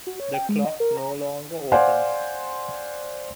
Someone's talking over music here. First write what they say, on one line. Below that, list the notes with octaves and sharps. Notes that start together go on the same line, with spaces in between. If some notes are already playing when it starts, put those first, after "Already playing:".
The clock no longer opens.
F#4
C#5
G5
G#3
D#5
A#4
A#5
C5 D5 F5 F#5 G#5